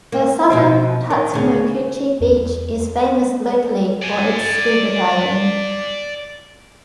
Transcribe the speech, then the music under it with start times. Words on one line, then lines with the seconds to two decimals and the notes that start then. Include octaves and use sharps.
The southern Tatsunokuchi beach is famous locally for its scuba diving.
0.12 A#3
0.50 B2 F3 C4
1.10 D#3
1.34 D2 C#3
2.21 E2
4.02 D5 G#5